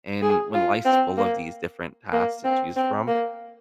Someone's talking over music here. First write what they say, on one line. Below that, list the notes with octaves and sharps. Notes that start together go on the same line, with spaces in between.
and when life's full of these different tasks to choose from,
G#4
F4
C4
A#3
A#3
C4
C4
A#3